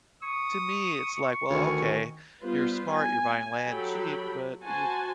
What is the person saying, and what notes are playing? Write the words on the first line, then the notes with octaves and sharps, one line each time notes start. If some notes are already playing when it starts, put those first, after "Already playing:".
To me, it's like, "Well, okay. You're smart, you're buying land cheap, but you're
C#6 D#6
D2 D#3 G#5
G3 B3 F4 B4 C5
G#5
F#3 G4 A4 G5 B5
F#4 C5 G#5 A5